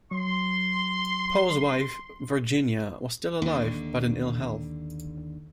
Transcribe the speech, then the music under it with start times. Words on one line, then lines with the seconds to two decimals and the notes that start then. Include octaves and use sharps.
Poe's wife, Virginia, was still alive, but in ill health.
0.11 F#3 C6
3.42 D#2 D3